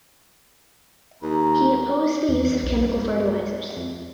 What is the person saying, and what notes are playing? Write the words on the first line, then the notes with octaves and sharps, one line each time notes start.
He opposed the use of chemical fertilizers.
D#2 A#5
E2
B1
G2
F2